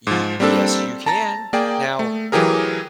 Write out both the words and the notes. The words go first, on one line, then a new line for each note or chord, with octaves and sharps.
You yes, you can. Now
G#2 F3
G3 A#3 C4 D4 A4
A5 A#5 A6
A#3 G#4 D5 G5
A3
E3 F#3 G4 G#4 A#4